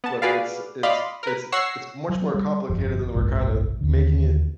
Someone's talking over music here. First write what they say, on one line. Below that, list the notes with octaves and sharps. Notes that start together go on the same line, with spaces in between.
look, it's it's it's it's much more complicated than we're kinda making it,
B3 A5
F#4 G#4 B4 D5 F5
D5 D#5 F5 B5 C6
A#4 B4
C#5 F#5 C#6 E6 A#6 C7
F#3
G3
G1 F2
F#1 B1 G#2
D#2 D3